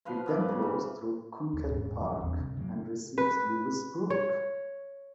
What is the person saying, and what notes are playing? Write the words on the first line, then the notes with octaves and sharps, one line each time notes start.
It then flows through Kunkel Park and receives Lewis Brook.
F3 B4 F5 C6
G2 B3 B4 D5
C#3
E3
D2
D#1 G#2 C#3
C#3 E3 G3
A1 E2 C4 D4
G2 C3
C#3 F#3 G#3 A#3
B4
C#5